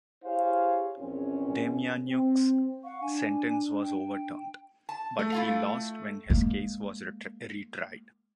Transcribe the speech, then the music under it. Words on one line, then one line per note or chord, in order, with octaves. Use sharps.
Demjanjuk's sentence was overturned, but he lost when his case was retried.
E4 G4 G#4 C5 C#5 F5
A#1 E2 C4 C#4
C4
F5 F#5 C#6
D4 G#5
G5
A5
A3
E4 F4 F5
G#3 A#3